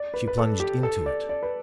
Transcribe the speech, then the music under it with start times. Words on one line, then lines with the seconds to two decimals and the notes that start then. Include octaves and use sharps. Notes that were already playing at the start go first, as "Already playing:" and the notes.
She plunged into it.
Already playing: D5
0.14 B4
0.28 B4
0.38 A4
0.60 G4
0.83 A4
1.06 D5
1.29 D5
1.43 B4